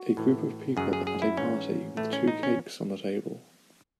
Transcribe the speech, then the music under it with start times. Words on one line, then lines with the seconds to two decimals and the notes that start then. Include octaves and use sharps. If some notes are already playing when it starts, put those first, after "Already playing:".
A group of people at a party with two cakes on the table.
Already playing: F#4
0.17 A2 E3
0.77 F#2 C#3 F#3 G#4
0.93 G#4
1.07 G#4
1.22 E4
1.37 G#2 E3 C#4
1.97 A2 E3 A3
2.13 C#4
2.28 D#4
2.43 C#4